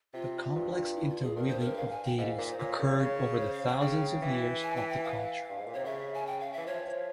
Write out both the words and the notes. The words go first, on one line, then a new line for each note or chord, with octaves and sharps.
The complex interweaving of deities occurred over the thousands of years of the culture.
C3 F4
G2
E4
F4
G#4
G2 A#4
C5
A#4
F5
G#5
G5
G#2 F5
A#2
C5
A#2 C#5
C#3
C#3
C5
F5
G5
C#3 G5
E3
G#5
G5
G5
F5
G2
G#2
A#2
C3 C#5
C#3 E5
G#5
G5
F5
E3 E5
F3 C#5
F3